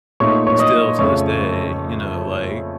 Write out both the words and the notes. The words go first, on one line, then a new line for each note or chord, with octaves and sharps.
still to this day, you know, like,
A#2 A3 D#4 C#5 C#6
C#5 C#6
D#5 D#6
F2 C#3 A3 C#5 C#6